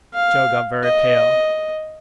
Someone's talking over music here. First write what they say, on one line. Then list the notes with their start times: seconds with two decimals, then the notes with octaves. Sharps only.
Joe got very pale.
0.14 F5
0.83 D#5